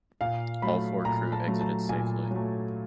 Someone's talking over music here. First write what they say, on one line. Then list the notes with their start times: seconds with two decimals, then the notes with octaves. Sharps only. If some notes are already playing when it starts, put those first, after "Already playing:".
All four crew exited safely.
0.21 A#2 F5
0.62 F#3 A3 B5
1.05 A#2 A#5
1.32 A5
1.48 F#3 A3
1.61 A5
1.89 A#2 G#5
2.31 F#3 A3